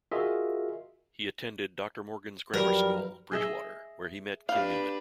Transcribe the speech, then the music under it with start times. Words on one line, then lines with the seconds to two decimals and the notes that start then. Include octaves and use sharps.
He attended Doctor Morgan's Grammar School, Bridgwater where he met Kim Newman.
0.11 F4 F#4 G#4 A#4 D#5 E5
2.54 F#2 F3 G3 F#4 A#4 B4
3.32 G#4 D#5 E5
4.49 D4 G4 B4 F5